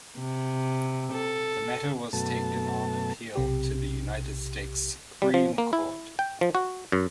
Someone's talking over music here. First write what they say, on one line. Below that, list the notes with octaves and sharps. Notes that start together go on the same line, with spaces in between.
The matter was taken on appeal to the United States Supreme Court.
C3
A4
F#2 B2 A3 A5
B1 C3 G4
G3
F3
A#3
E4
G5
F3
F#4
F#2